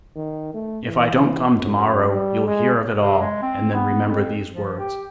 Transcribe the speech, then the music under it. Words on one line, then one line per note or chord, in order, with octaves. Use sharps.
If I don't come to-morrow, you'll hear of it all, and then remember these words.
D#3
A3
E3
F#2
G3
G#3
C3
G#3
C4
B3
F2
F3
G4